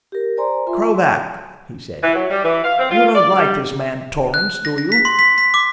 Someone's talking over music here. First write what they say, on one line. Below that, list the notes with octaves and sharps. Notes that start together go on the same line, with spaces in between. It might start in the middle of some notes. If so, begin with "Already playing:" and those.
"Krovac," he said, "you don't like this man Torrance, do you?"
G4 A#4
C5 D5 G#5 A#5 C6
F4 E5 G#5 C6
E3
F#3
G3
E3
F5
C4
F4
D5
G3
F#6
A#6
A#6
B6
C6
B6
B6
D6